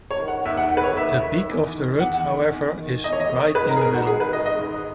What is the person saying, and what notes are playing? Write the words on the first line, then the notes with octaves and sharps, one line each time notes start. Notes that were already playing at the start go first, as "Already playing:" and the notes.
The peak of the rut, however, is right in the middle.
C#5
D#3
F#5
D#2 E5
F#5
D#3
B4
C#5
D#2 E5
D#3
E2
D#3
E2 F#5
D#3
E2
D#3
E2 D#5
C#5
D#5
D#3
G#2 B4
A#4
G#4
D#3 A#4
F#4
G#2 G#4
B4
D#3 D#5
D#5
G#2